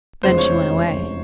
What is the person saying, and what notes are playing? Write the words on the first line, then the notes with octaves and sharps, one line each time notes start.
Then she went away.
F1 E2 C#3 F3 G#3 C5
C#5